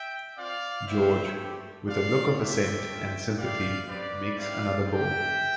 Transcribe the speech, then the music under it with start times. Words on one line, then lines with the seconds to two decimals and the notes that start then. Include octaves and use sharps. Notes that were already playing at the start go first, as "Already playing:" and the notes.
George, with a look of assent and sympathy, makes another bow.
Already playing: E5 G5
0.37 C4 F4 D5 F5
0.88 B3 E4 G4 C5 E5
1.37 A3 C4 G4
1.87 B3 D4 F4 D5 F5
2.37 G3 B3 D4 E5 G5
2.87 A3 D4 F4
3.37 C4 E4 G4 D5 F5
3.87 C4 G4 B4 D5
4.37 C4 E4 G4 D5 F5
4.86 C4 E4 G4 E5 G5